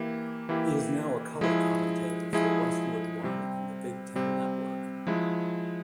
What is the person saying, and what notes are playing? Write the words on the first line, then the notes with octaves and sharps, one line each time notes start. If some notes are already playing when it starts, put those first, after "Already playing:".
He is now a color commentator for Westwood One and the Big Ten Network.
Already playing: E3 A#3 E4 G4
E3 A#3 E4 G4
F3 G#3 E4 G#4
F3 G#3 E4 G#4
C3 G3 C4
C3 G3 C4
F3 G#3 E4